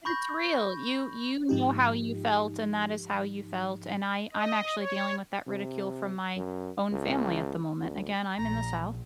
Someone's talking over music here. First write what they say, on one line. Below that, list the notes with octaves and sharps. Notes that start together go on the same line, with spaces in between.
But it's real, you you know how you felt, and that is how you felt, and I I'm actually dealing with that ridicule from my own family at the moment. Again, I'm in the South,
B5 C#6 G6 A#6
G#2 F3 D#4 G4
D#5
C#5
C3
F#2
C#2
D2
A#1 A#5